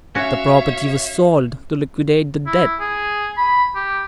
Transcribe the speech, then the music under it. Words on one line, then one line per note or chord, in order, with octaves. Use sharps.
The property was sold to liquidate the debt.
C#4 F#4 C#5 E5 F5
E4
G#4
B5
G4